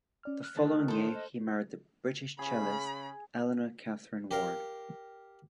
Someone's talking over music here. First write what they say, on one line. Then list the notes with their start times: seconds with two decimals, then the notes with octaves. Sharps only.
The following year he married the British cellist Eleanor Catherine Warren.
0.23 C#4 D5 F6
0.43 F6 F#6
0.56 A2 D3 D#3 A5
0.88 A4 C5
1.14 D#5
2.39 C#3 G#4 B5
4.31 G4 A#4 F5